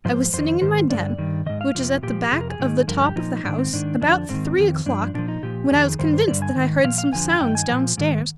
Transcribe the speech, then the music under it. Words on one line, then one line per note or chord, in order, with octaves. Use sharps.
I was sitting in my den, which is at the back of the top of the house, about three o'clock, when I was convinced that I heard some sounds downstairs.
G#2 F3 C5
F2 D#3 C5
G#2 D#3 C5
G2 D3 F3 D5
G2 D#3
G#2 D#3 D#5
F5
F2 C3 F3
A#2 F3 G4
F2 C3 G#4
A#4
G#4
G#2 D#3
G2 D3 F3 A#4
G4
A#2 F3 D#4
G#2 D#3 D4
C4
G#2 D#3 D4
F2 D3 F3 D4
G#2 D#3 C4
F2 D#3
G2 F3 D4
A#2 F3 D4
D#4
A#2 F3 G4
F2 D#3 G#4
G2 D#3 C5
C5
G2 D3 F3 D5
G#5
G#2 D#3
A#2 F3 F5
F5
F2 D3 F3 G#5
G2 D#3 G5
G#5
A#2 F3
G#2 D#3